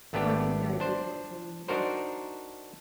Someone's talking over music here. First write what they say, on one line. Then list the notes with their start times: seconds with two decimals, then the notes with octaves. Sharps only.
Fleming, died before polling day.
0.13 G#1 A3 B3 D4 G4
0.80 D4 C5
1.68 D4 D#4 F#4 A#4 C5